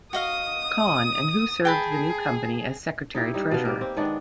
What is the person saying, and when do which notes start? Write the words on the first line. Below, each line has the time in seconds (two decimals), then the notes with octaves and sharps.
Conn, and who served the new company as secretary-treasurer.
0.13 F#4 D#5 F5 D#6
1.65 G#4 G5 A5 B5
3.15 D#4 E4 G4
3.34 G3 D#4
3.51 B2 F5
3.65 A#3 G4
3.81 C4
3.97 D#3 G#3 B3 D4